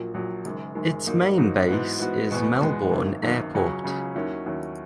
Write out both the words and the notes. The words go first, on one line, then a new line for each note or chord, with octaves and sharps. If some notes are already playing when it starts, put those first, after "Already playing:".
Its main base is Melbourne Airport.
Already playing: A#1 A#2 F#3 A#3
A#1 A#2 F#3 A#3
F#1 F#2 D#3 G#3
F#1 F#2 D#3 G#3
G#2 F#3 A#3 D#4
G#2 F#3 A#3 D#4
G#2 E3 B3 F#4
G#2 E3 B3 F#4
E2 B2 G#3 B3
E2 B2 G#3 B3
G#1 F#2 D#3 A#3
G#1 F#2 D#3 A#3
C#2 C#3 F#3 C#4 G#4
C#2 C#3 F#3 C#4 G#4
D#2 D#3 F#3 C#4 E4
D#2 D#3 F#3 C#4 E4